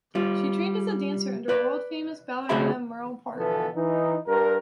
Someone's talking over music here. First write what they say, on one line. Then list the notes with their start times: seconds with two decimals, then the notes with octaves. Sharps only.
She trained as a dancer under world-famous ballerina Merle Park.
0.15 G3 F4
1.49 B4 D5
2.49 C#3 A3 F#4 G#4 E5 B5
3.37 B2 D3 E3 F3 B3 A4
3.75 E3 D#4
4.27 G2 A#4